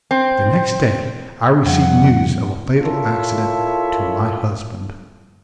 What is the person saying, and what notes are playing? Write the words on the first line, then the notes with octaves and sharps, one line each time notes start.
The next day I received news of a fatal accident to my husband.
C4
F2 F3 G3 F#5
E4 F4 A4 A#4 C#5 E5